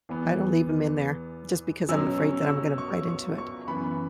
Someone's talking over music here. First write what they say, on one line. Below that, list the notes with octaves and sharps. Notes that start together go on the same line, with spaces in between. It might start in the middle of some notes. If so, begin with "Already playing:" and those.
I don't leave 'em in there, just because I'm afraid that I'm gonna bite into it,
E2 E3 B3
B2 F#3 C#4 E6
C#6
E6
C#6
C#6
C#6
F#2 E3 B3 B5